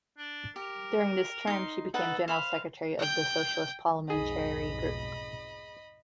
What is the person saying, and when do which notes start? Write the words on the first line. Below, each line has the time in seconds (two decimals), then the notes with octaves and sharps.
During this term she became general secretary of the Socialist parliamentary group.
0.18 D4
0.56 G4 A#4
1.47 D#4 C6
1.94 D#4 A4 B4 F#5
2.28 C5 F5 B5
2.99 G5 G6
4.10 B1 F2 G#2 D#4 G#4 D#5 B5